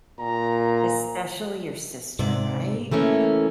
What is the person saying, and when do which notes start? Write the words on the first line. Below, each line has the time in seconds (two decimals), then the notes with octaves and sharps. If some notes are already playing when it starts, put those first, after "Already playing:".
Especially your sister. Right?
0.20 A#2 A#5
2.19 G#2 C3 D5
2.91 E3 A3 A#3 C#4